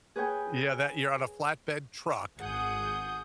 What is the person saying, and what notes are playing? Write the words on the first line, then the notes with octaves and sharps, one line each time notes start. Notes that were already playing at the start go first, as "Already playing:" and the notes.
Yeah, that you're on a flatbed truck,
G#4 B4 C#5 G5 G#5
G#1 G#4 F#5 D#6 G6